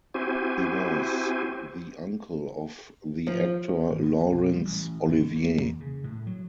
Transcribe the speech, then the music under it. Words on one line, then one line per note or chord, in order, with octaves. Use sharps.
He was the uncle of the actor Laurence Olivier.
C4 E4 F#4 G4 C5 G#5
F3
G#1
B3
B1
G3
A1
G#1
D#3
A#3
E2
C#3
A2
F#3